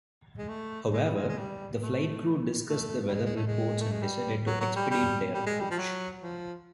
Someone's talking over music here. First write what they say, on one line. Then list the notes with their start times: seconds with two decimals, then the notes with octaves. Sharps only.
However, the flight crew discussed the weather reports and decided to expedite their approach.
0.38 G#3
0.49 A3
0.93 G#3
1.04 G3
1.15 G#3
1.29 G#3
1.38 G3
1.82 A3
2.69 A3
3.08 G3
3.14 G#3
3.26 G#3
3.36 A3
3.47 G#3
3.81 A3
3.92 G#3
4.03 G3
4.47 F#3
4.61 F#3
4.76 G3
4.91 G3
5.34 G3
5.47 G#3
5.60 G3
5.71 F3
5.78 F#3
6.23 F3